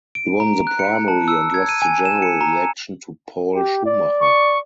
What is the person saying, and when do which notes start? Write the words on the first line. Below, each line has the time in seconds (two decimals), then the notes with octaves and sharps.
He won the primary and lost the general election to Paul Schumacher.
0.15 D7
0.40 A#5
0.67 F#6
0.79 C#7
1.08 A5
1.28 E6
1.54 G#6
1.69 D#7
1.82 G#5
2.05 E7
2.22 C#7
2.41 A#5
3.55 G4
3.86 D5
4.20 C#6